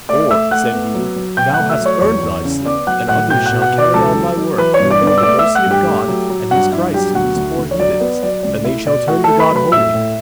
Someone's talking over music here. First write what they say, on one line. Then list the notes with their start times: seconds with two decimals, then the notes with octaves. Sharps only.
'For,' said he, 'thou hast earned thy sleep, and others shall carry on thy work and reveal the mercy of God and his Christ to these poor heathens, and they shall turn to God wholly.
0.09 A3 D5 D6
0.30 A3 E5 E6
0.51 A3 F#5 F#6
0.73 B3
0.95 F#3
1.16 F#3
1.37 B2 G5 G6
1.53 F#5 F#6
1.59 A3
1.69 E5 E6
1.80 F#3
1.86 C#5 C#6
2.01 E2 C#5 C#6
2.23 E2
2.45 C#3
2.66 B3 D5 D6
2.87 F#3 F#5 F#6
3.09 A2 F#5 F#6
3.30 B2 G5 G6
3.46 F#5 F#6
3.52 B2
3.62 F#5 F#6
3.73 B2
3.78 D5 D6
3.94 C#2 A4 A5
4.15 F#3
4.37 F#3
4.58 E3 B4 B5
4.74 C#5 C#6
4.80 G2
4.91 D5 D6
5.01 B3
5.07 D5 D6
5.18 E6
5.23 A3 D5 D6
5.39 E5 E6
5.44 A3
5.55 F#5 F#6
5.66 G2 G4 G5
5.87 A3
6.08 F#3
6.30 F#3
6.51 G2 F#4 F#5
6.72 G2 E4 E5
6.94 F#3 G4 G5
7.15 D2 F#4 F#5
7.36 D2
7.58 D2
7.71 C#5
7.80 F#3 D5
8.00 B3 D5
8.23 F#3 D5
8.43 C#2 D5
8.65 A3 E4 E5
8.86 B2 D5
9.08 A3 F#4 F#5
9.24 A3 A4 A5
9.40 B4 B5
9.51 F#3 B4 B5
9.72 A2 E5 E6
9.94 A2